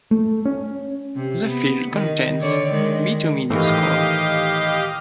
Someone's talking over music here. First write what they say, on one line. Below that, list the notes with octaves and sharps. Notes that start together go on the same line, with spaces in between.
The field contains bituminous coal.
A3
C#4
C3
B3
D#3
D3 C#5 D5
D#3 G#3
A2 D#3 E3 G4 D#5 F5